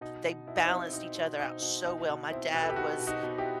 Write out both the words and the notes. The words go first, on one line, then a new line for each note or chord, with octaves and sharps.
They balanced each other out so well. My dad was
B2 D#4
B2
B2 E4
D#4
C4 E4
B2
B2 D#4
B2
B2 D#4
B2
B2 D#4
B2
B2 C4 E4
B2 B4
A4
G4
B2 D#4 F#4
B2
D#4 F#4
B2
E4 G4